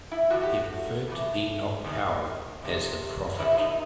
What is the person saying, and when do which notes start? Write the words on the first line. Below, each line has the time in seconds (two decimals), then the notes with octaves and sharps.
He referred to Enoch Powell as "The Prophet".
0.11 E4
0.30 A2 E3 F#4
0.43 G4
0.54 F#4
1.08 A2 E3
1.84 E2 C3 D#3
2.62 E2 C3 D#3
3.38 E2 C3 D#3 E4
3.52 E4
3.58 D#4